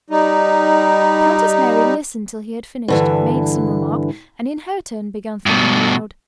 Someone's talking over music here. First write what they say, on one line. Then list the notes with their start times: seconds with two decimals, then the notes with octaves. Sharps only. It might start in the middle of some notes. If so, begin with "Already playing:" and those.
Countess Mary listened till he had finished, made some remark, and in her turn began thinking aloud.
0.10 G3 D#4
2.88 G2 D3 E3
5.46 G2 B2